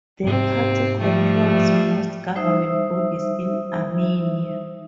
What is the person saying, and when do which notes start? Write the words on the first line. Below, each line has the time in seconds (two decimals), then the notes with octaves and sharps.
The party controls most government bodies in Armenia.
0.24 G#2 C3 F#3 C4
1.00 F3 G3 A3
2.35 G3 D#4 C5 E5 D#6 E6